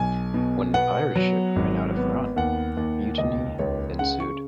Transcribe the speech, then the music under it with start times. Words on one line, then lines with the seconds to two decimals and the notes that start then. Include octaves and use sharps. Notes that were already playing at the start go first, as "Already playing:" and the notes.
When the pirate ship ran out of run, mutiny ensued.
Already playing: B1 G#5
0.34 B2
0.74 B3 F#5
1.16 F#3
1.56 G#1
1.97 B3
2.36 D#2 F#5
2.77 D#2
3.18 C#2 D#5
3.59 C#2 C#5
3.99 C#3 F#5
4.20 C#6